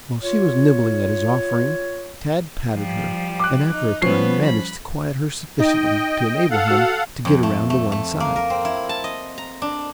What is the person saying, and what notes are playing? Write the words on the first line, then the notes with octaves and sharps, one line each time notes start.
While she was nibbling at his offering, Tad patted her and after a time managed to quiet her sufficiently to enable him to get around to one side.
F4 C#5
F3 G3
D6 F#6
D#4
F3 G3 B3 C#4 C7
B5
D#4 D#5 G5
A4 F5 F#5
F#4 E6
F2
A3
A3
A3
A#3
A#4
C4
E4
A5
D#5
A#5
D4